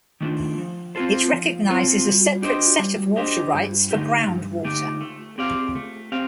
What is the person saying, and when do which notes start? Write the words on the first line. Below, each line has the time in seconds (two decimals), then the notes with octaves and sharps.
It recognizes a separate set of water rights for groundwater.
0.20 D#3 A3 D4 F4
0.58 F3
0.95 C4 F4 A4 C5
1.33 F3
1.68 C4 F4 A4 C5
2.06 G3
2.42 D4 G4 C5 D#5
2.79 G3
3.16 D4 G4 C5 D#5
3.53 G2
3.91 D3 A3 D#4 G4
4.27 G2
4.64 D3 A3 D#4 G4
5.01 A3
5.38 C4 G4 D5 F5
5.75 A3
6.12 C4 G4 F5